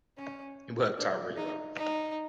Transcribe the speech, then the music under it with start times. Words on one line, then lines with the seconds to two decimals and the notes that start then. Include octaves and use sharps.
It worked out really well.
0.18 C#4
0.98 D4
1.37 D#4
1.77 D#4